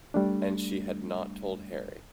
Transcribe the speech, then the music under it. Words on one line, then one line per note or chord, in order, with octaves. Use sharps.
And she had not told Harry!
G3 A3 D4